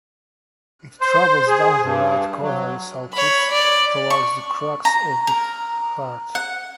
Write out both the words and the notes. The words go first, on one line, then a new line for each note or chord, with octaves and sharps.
It travels down the right coronary sulcus, towards the crux of the heart.
C5
G#4
G2
F#3
C#5 B5
D5
C#6
A#5
A#4
F#5